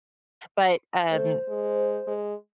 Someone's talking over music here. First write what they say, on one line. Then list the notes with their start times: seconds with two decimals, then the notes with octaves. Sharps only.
but, um,
1.11 A3 C5
1.49 G#3
2.07 G#3